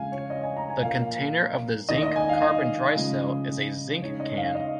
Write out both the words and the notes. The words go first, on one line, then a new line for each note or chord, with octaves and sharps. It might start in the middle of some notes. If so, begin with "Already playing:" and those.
The container of the zinc-carbon dry cell is a zinc can.
Already playing: C#3 F3 G#3 F5 G#5
C#5
D#5
G#5
A#5
G#5
A#2 F3 A#3 F5
D#3 A#3 D#4 D#5
D#5
G#5
F5
D#5
C#3 F3 G#3
C#3 G#3 D#4 C#5
D#5
F5
D#5